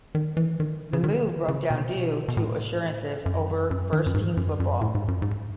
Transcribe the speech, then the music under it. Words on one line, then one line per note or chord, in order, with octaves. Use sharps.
The move broke down due to assurances over first team football.
D#3
E3
D#3
C#3
D#3
C#3
B2
B2
A2
F#2
F#2
D#3
F#2
G#2
F#2
F#2
A2
G#2
F#2
G#2